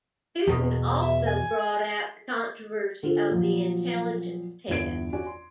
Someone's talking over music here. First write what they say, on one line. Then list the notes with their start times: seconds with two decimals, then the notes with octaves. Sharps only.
Hooton also brought out the controversy of the intelligence test.
0.47 E2 B2
1.02 E5
1.27 G#5
3.03 D3 F4 C5
3.30 A#2 F3 F#3
4.68 G1 E2 E3 G#6 D7
5.13 C#4 F#4 D5 G#5
5.27 C6